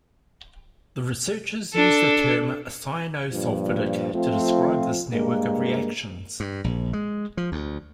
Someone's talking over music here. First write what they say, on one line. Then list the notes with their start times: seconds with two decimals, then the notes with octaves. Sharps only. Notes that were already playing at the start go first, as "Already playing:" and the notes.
The researchers used the term "cyanosulfidic" to describe this network of reactions.
1.74 D4 A4
3.32 G2 A#2 F3
4.14 F3 A3 C4 F4
5.10 G2 G#3 A#3
6.40 G2
6.64 A#1
6.93 G#3
7.37 F3
7.52 D2